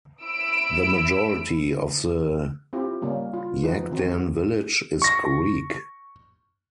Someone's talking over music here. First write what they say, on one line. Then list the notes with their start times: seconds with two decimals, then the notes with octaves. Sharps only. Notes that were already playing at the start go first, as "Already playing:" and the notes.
The majority of the Yaghdan village is Greek.
0.24 E4 B5 E6 D7
2.73 C4 E4 F4 G4
3.02 C#3 G3 A#3 C#4
3.33 F4
3.63 F3 B3 D#4 B4
3.91 D#3 E3 C4 F#4
5.02 C#6 A#6